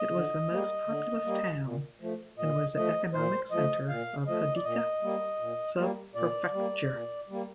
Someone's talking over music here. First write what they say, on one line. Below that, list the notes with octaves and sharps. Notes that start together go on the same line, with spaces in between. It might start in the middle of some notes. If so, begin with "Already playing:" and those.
It was the most populous town and was the economic center of Hidaka Subprefecture.
Already playing: D#5
D3
G3 A#3
D3
G3 A#3
A#2
F3 A3
A#2 D#5
F3 A3 D#5
A#2 C5
F3 A3 D#5
A#2 F5
F3 A3 D#5
D5
A#2 D#5
G3 A#3
A#2
G3 A#3
A#2 D5
G3 A#3
A#2
G3 A#3